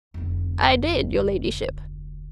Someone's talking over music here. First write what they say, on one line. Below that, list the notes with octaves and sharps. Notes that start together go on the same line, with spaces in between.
"I did, your ladyship."
F1 D2